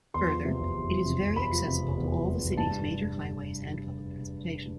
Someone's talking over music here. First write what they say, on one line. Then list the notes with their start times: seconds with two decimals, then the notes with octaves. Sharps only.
Further, it is very accessible to all the city's major highways and public transportation.
0.14 E2 C6
0.30 F3
0.45 C3
0.60 F1
0.76 E2
0.91 F3
1.06 C3
1.20 F1
1.36 E2 B5
1.52 F3
1.67 C3
1.82 F1
1.97 E2
2.12 F3
2.28 C3
2.43 F1
2.58 G2 A5